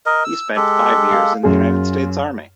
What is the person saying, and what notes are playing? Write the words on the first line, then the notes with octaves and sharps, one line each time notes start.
He spent five years in the United States Army.
A#4 D#5
E6
G#3 G4 A4
F5
F#2 F4 G#4